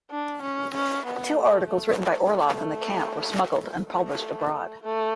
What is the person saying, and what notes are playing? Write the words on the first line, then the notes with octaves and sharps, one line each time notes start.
Two articles written by Orlov in the camp were smuggled and published abroad.
D4
C#4
C#4
B3
A3
A3
A3
A3
A3